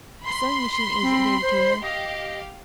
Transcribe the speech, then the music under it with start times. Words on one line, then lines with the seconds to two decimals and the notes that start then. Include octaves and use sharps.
A sewing-machine agent gave it to her.
0.22 B5 C6
1.01 C4
1.41 C5
1.82 G4 D#5 F5